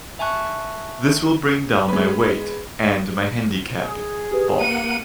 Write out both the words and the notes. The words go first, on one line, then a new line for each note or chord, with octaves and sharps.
This will bring down my weight and my handicap, Bob.
E5 G#5 A5 C#6 F#6
G#3 B4
G#4
G4 B4
A#3 F#5 D#7